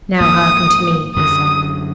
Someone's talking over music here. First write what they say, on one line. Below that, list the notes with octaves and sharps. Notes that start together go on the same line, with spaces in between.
"Now, hearken to me," he said.
G#2 F3 A#3 D#6
F#2 D3 F#3 D#6